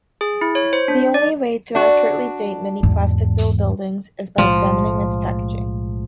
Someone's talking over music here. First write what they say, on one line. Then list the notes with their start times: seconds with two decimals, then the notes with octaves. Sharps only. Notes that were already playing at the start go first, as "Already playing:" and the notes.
The only way to accurately date many Plasticville buildings is by examining its packaging.
0.21 G#4
0.41 E4
0.55 C#5
0.73 C5
0.88 D4
1.14 D5
1.75 D4 F#4
2.83 E2 G#2
4.38 B1 A2 F3 G#3